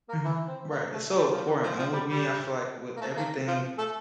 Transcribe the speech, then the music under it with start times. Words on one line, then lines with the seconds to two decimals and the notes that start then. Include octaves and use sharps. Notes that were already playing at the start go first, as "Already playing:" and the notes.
Mhm. Right, it's so important, and with me, I feel like with everything
0.09 A#3 A#4
0.24 E3 E4
0.47 C4
0.70 A#3
0.93 A3
1.16 G3
1.32 F3
1.48 E3
1.63 F3
1.78 F3
1.93 G3
2.09 G3
2.96 A#3
3.01 A3
3.16 A#3
3.47 F3 F4
3.78 A3 A4